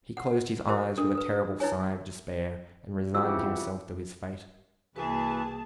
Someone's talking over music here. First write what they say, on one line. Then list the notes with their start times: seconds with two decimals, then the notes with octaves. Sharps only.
He closed his eyes with a terrible sigh of despair, and resigned himself to his fate.
0.17 F#5
0.68 F#4 A#4 C5 E5
0.98 D4 A4 A#4
1.15 A4 B4
1.60 D#4 E4 B4 C#5 G#5
3.15 F2 C#3 E3 F#4 G4 E6
4.96 C2 E3 A#3 F#4 G#4 B4 G#5 A5